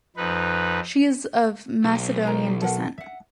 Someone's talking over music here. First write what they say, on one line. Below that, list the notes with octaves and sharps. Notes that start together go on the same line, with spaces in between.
She is of Macedonian descent.
F2 D#4 B4
B1
A#4 C5 A#5
A4 A#4 F#5
E5 F#5